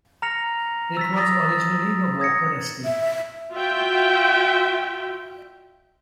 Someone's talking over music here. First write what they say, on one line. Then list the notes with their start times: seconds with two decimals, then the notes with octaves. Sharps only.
It was originally the Walker estate.
0.22 A#5 F6 A#6 C#7 F7
0.97 E6 A6 B6
1.17 D#6 A6 A#6
2.20 D#6 G#6 A#6 C#7
2.85 E5
3.51 F4 F#4 E5 G5